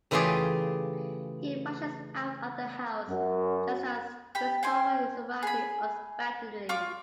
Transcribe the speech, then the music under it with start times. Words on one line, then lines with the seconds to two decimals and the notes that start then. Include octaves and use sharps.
He rushes out of the house, just as Christopher is arriving unexpectedly.
0.11 C#3 E3 A3 F4 G4 G#4
3.08 F#2
4.35 G4 B5
4.63 C5 G5 G#5 C6
5.43 G#4 B5
6.69 F4 C#6 D6